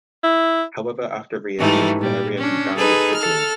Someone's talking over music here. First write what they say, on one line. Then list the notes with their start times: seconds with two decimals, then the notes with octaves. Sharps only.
However after reopening, the area rebounded quickly.
0.23 E4
1.57 G#2 E3 G3 A3 D#4
2.00 A#2 G3
2.37 C#4 D4
2.77 D#4 G#4 A4 B4
3.14 A4 F6